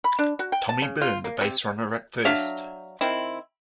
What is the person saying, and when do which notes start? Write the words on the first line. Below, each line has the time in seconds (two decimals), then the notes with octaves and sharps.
Tommy Byrne the base runner at first.
0.04 B5
0.19 D4
0.39 F#4
0.52 G5
0.69 A5
0.82 C#3
1.01 F4
1.24 A#3
1.41 C3
2.25 F#3 D4 E5 F5
3.01 D#3 C4 E4